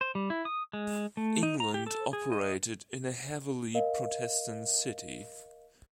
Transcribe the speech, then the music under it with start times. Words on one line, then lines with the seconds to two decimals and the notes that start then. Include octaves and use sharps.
England operated in a heavily Protestant city.
0.01 C5
0.15 G3
0.30 E4
0.45 D#6
0.73 G#3
1.17 A3
1.43 D#4
1.60 A#5
1.74 G4
1.87 A4
2.13 G#4
2.32 D#5
3.74 A#4 D#5 F5